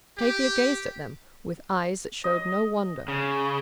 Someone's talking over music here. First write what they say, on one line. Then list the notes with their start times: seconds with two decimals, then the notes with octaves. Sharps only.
Tavia gazed at them with eyes that showed no wonder.
0.18 G4
2.24 D#5
3.08 C#3